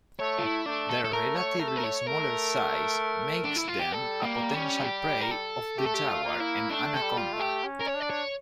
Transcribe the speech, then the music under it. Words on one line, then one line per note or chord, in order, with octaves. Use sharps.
Their relatively smaller size makes them a potential prey of the jaguar and anaconda.
A3 C#5
F4
E4
A3 D4
A4
A4
A3 A#4
C#5
A3 A#4
A4
A#4
C#5
A3 A#4
D4
E4
F4
G4
G3 A4
A#3
C#4
F4
G4
A#4
A4
A3 G4
A4
G4
F4
A#3
E4
A3 D4
A4
G3
F4
A3
G4
C#4
A#4
C#5
D4
D5
C#5